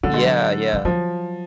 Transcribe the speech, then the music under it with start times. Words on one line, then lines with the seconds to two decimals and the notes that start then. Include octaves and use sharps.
Yeah, yeah.
0.03 D3 F#3
0.14 G#3
0.23 F#3
0.73 F3
0.85 F3 F#3